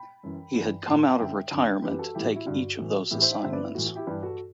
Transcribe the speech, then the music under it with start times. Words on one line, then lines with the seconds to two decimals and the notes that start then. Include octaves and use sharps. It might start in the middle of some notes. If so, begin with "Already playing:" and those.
He had come out of retirement to take each of those assignments.
Already playing: G5 B5
0.23 F#2 E3
0.55 G2
0.60 E3
0.87 A2 E3 A5 C6
1.09 F#5 A5
1.19 F#2 D3 E5 G5
1.51 F#2 D3
1.83 F#2 E3 G4 B4
1.99 F#4 A4
2.15 A2 E3 E4 G4
2.26 F#4
2.36 E4
2.46 G2 D3 F#4
2.79 A2 E3
3.11 A2 E3 E4 G4
3.22 C5 E5
3.32 E5 G5
3.43 G2 D3 C5 E5
3.53 B4 D5
3.64 E4
3.75 A2 F#4
3.78 E3
3.86 F#4
3.95 E4 G4
4.07 G2 E3 G4 B4
4.23 F#4 A4